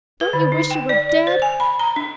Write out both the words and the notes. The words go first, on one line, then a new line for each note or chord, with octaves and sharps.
Don't you wish you were dead?
B4
D3
D#4
G5
D5
D5
C5
G#5
B5
A#5
D4